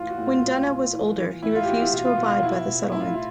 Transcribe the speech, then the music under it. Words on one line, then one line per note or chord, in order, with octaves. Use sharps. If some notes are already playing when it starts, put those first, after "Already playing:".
When Donough was older, he refused to abide by the settlement.
Already playing: A2 E3 F4
F#4
A2
F4
A#2
A#2
E3
E3
A2 E4
F4
G4
E3 F#4
E4
B2 F4
F4
B2 F#4
F4
B2 E4
B2
A2 E4
F4
E4
F4